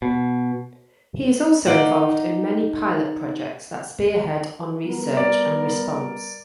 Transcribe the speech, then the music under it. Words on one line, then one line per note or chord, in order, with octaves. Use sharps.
He is also involved in many pilot projects that spearhead on research and response.
B2
D#4 D5 F5 F#5
G3 B3 A#4
D5